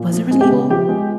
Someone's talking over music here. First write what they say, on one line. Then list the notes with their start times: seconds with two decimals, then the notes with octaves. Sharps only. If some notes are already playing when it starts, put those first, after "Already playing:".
was it Resident Evil?
Already playing: A#2
0.13 F3
0.31 G#3
0.41 G4
0.51 C#3
0.70 F3 G4
0.89 G#3